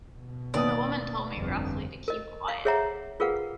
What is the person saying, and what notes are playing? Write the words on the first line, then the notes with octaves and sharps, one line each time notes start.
The woman told me roughly to keep quiet.
B2
D#2 B3 D5 D#6
G1 F2 B2
A#4 D#5
F5
G#4 C#5 E5 F#5 A#5
F4 G#4 A#4 B4 F5 F#5